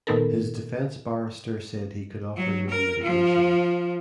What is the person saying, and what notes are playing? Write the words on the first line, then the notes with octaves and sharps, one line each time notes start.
His defence barrister said he could offer no mitigation.
A#2 D#3 B3 D#4 A4 A#4
F#3
A#4
F3